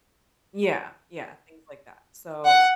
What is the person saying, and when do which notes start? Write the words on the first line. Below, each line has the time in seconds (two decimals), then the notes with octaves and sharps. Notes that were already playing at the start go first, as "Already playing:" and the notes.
yeah, yeah, things like that, so,
2.47 F#5